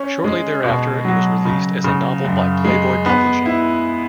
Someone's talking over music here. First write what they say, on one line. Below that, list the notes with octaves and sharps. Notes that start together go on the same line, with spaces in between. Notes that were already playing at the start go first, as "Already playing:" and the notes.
Shortly thereafter it was released as a novel by Playboy Publishing.
Already playing: C#4
G#3
B2
F#3
C#3
C#3
F#2
G#3
B3
E4